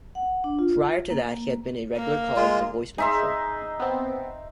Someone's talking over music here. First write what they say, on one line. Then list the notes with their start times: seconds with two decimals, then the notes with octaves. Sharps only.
Prior to that, he had been a regular caller to the voicemail show.
0.15 F#5
0.44 D4
0.59 F4
1.10 A#3
1.97 A#3
2.36 G#3 F4
2.98 D#4 G#4 E5 C6
3.80 B3 C4